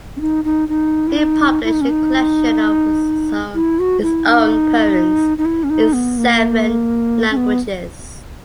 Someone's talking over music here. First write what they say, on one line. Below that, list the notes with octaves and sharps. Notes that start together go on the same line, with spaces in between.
He published a collection of his own poems in seven languages.
C#4
D#4
D#4
D#4
E4
D#4
E4
D#4
C#4
D#4
E4
F#4
E4
D#4
D#4
E4
C#4
D#4
B3
A#3
C#4
B3